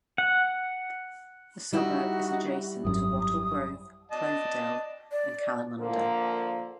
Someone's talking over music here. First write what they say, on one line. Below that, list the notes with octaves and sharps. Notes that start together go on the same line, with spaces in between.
The suburb is adjacent to Wattle Grove, Cloverdale and Kalamunda.
F#5
G3 D#4 E4 F#4
G#1 F#2 D#6
D5 D#5 A5
D5
D3 F3 A#3